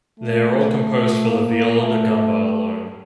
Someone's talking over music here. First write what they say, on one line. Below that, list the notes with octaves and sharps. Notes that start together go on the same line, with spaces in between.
They are all composed for the viola da gamba alone.
A3
A#3
A3